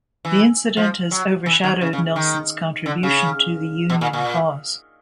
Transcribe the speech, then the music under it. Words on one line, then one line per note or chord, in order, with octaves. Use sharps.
The incident has overshadowed Nelson's contribution to the Union cause.
E3
F3
F#3
E3
D#3
C#3
C#3
D#3
D3
C#3
B2
A#2
A#2